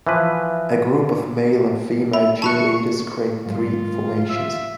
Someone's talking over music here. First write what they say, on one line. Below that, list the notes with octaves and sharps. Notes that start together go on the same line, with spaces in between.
A group of male and female cheerleaders create three formations.
E3 F3 B4
E5 B5
A5 B5 C#6 F#6 C#7
G#2 F#3 G#3 F4
E5